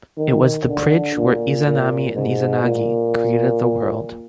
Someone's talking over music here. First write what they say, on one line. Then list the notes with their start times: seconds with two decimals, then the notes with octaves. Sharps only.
It was the bridge where Izanami and Izanagi created the world.
0.18 D#3
0.68 D3
1.17 A#2
1.65 A#2
2.14 G#2
2.63 A#2